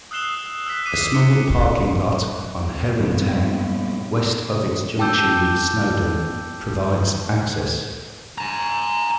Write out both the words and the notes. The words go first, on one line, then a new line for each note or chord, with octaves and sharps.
A small parking lot on Herrontown, west of its junction with Snowden, provides access.
D#6 E6 F#6 C7 E7 G7
E6 F#6 B6
D6 F#6 B6 C7 D#7
D6 B6 C#7 G7
A#2 G3 B3 C4
G5 A5 D6 E6 G6
G#5 A#5